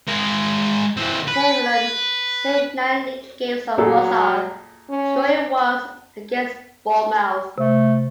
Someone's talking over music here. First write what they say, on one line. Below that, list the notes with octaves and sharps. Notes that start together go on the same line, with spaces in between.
Ekelund played nine league games for Walsall, scoring once against Bournemouth.
G#3 A#4
E3 C4
B4
A#2 F#3 G#4 A4
C#4
C3 A3